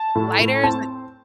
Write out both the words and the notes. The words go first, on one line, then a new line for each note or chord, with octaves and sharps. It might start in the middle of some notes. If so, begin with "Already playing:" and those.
lighters and
Already playing: A5
A2
A2
C4 A5